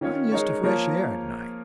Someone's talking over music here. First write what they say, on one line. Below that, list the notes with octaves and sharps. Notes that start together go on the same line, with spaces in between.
I'm used to fresh air at night.
D#3 C#4 F4 C#5
G#3 D#4 A#4 C#5
F3 A#3 F4 A#4 C#5